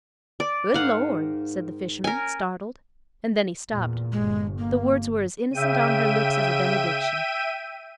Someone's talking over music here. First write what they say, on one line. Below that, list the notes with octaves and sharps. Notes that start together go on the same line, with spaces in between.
"Good Lord!" said the fisherman, startled, and then he stopped--the words were as innocent on her lips as a benediction.
D5
G#2 D#3 D#4 F5 F#5
C#4 A#4 G#5
E2 A#2
G1 G#3
A#3
C#3 E5 G5 D#7